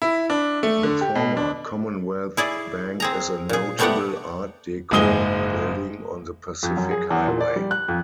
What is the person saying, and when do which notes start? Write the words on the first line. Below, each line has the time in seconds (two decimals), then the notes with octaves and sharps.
The former Commonwealth Bank is a notable art deco building on the Pacific Highway.
0.02 E4
0.30 D4
0.63 A3
0.83 D3
1.01 G4
1.15 B2
1.37 D4
2.37 E4 G#4 D5
3.00 C4 G#4 A#5
3.49 A#2 G#4
3.79 C3 A3 B3 G4 D5 F#5
4.91 F#1 G#2 G#3 D#6 G7
6.63 F2
6.77 F#2
6.91 G#4
7.10 E2
7.27 A#2
7.41 D5
7.56 G3
7.71 F#6
7.88 F2